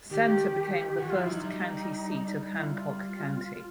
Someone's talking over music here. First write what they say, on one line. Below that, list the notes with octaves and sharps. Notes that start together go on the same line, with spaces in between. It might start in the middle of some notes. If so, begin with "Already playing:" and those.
Center became the first county seat of Hancock County.
D#3 G4
E3 F#4
F3 F4
E4
F#3 D#4
G3 D#4
D#4
E4
F4